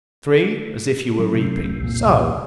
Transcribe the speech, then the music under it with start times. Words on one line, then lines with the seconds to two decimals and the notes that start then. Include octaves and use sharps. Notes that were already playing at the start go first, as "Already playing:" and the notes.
Three, as if you were reaping--so.
1.19 F#3 A3 C#4
1.35 C3
1.80 C2 F2 A#2